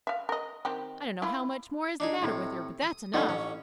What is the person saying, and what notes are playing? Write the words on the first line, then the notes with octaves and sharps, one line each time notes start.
I don't know how much more is the matter with her, but that's enough.
E5 F5
A#4 D#5
D#3 C4 G4
E4 F4
D4 D#4 G#4
A2 C3
D#6
D3 D#3 F3 G3
A1 C#4